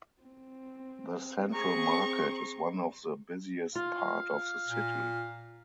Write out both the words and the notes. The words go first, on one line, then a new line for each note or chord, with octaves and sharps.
The Central Market is one of the busiest part of the city.
C4
C4 G#4 A#5 C#6
F4 F5
A#2